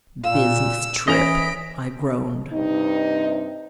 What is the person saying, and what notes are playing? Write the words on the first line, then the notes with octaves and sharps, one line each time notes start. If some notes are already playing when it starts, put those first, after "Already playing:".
"Business trip!" I groaned.
A#2 F4 E6
E3 C#4 D#5 A#6 B6 D7 F7
G2 C3 D#4